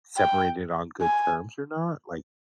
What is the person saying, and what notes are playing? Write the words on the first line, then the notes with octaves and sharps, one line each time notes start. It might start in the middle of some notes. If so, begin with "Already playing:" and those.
separated on good terms or not? Like
G5
G#5